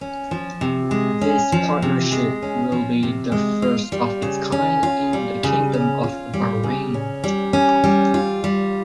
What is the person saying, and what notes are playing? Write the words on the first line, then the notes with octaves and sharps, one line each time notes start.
This partnership will be the first of its kind in the Kingdom of Bahrain.
C#4
F3
C3
G#3
C#4
F3
C3
G#3
C#4
F3
C3
G#3
F4
G3
C#3
C#4
F4
G3
C#3
C#4
F4
G3
C#3
C#4
G3
C#4
G3
F4
G3